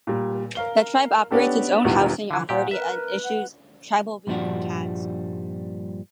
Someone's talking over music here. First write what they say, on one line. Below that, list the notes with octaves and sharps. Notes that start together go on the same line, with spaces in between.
The tribe operates its own housing authority and issues tribal vehicle tags.
A#2 G3
A#4 F5 G7
B3 C#4 D4 G4 A4
E1 E2 D#3 G3 F4 F#5
D3 E3 F3
A#2 G4 C5 F#5
A#4 B4 E5
F#5
G2 A#2 F3 G3 D4 F#4